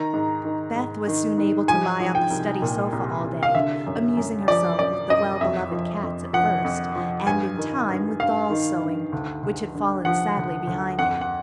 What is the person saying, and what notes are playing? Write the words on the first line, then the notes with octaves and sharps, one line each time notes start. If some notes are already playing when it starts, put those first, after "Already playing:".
Beth was soon able to lie on the study sofa all day, amusing herself with the well-beloved cats at first, and in time with doll's sewing, which had fallen sadly behind-hand.
Already playing: D#3 A#5
G#2
D#3
G#2
D#3
G#2
F3 G#5
F3
G5
C2
A#2
C2
C2
F5
D3 E5
F#2
F#2
F3 D5
F#2 D5
F#2 D#5
F2 E5
F3
F2
F3 F#5
F2
F3
G2 G#5
D#3
G2
G2 F5
D#3
G2
D2
D2
D3
F3 F#5
D2
D2
F2 F#5
F#5